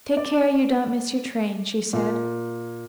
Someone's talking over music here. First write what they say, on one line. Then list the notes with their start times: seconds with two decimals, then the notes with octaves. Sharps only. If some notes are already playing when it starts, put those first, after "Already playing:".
"Take care you don't miss your train," she said.
0.17 D5
1.93 A#2